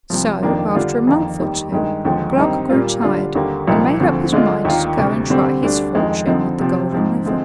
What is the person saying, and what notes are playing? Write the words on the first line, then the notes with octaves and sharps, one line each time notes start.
So, after a month or two, Gluck grew tired and made up his mind to go and try his fortune with the Golden River.
C2 C3 F3
F2 D#3 A#3 D4 F4
D3 G3 D4 F4
F2 D#3 A#3
D#2 D#3 G3
G2 D#3 G#3
D#2 D3 F3 G#3
G2 D#3 G3 C4 D#4
A#2 G3 A#3 F4
D3 G3 D4 F4
D#2 D3 G3 A#3
C2 A#2 F3 A#3 D#4
D2 D3 F3 C4
D3 G#3 D4 F4
D#2 D#3 A#3 F4
D2 C3 G3
D3 G3 C4
D2 D3 G3 D4
F2 D#3 G#3
D3 F3 C4 D#4
C3 F3 C4
G#2 F3 C4
D3 F3 G#3 C4